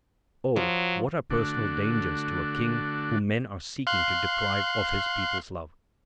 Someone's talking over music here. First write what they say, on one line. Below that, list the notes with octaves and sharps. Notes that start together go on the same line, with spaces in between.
Oh! what are personal dangers to a King whom men are seeking to deprive of his people's love?
F3 F#3
D3 A3 D4 F#4
F5 C6 F#6